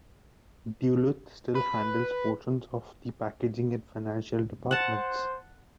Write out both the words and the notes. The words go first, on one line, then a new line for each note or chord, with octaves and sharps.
Duluth still handles portions of the packaging and financial departments.
B4
C5 F#5 A5